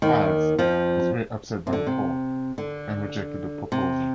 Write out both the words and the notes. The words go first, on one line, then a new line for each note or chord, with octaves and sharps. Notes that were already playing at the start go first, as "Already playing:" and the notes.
Ives was very upset by the thought, and rejected the proposal.
D#2 D#3
F2 F3
C3
D3
C3
D3
C3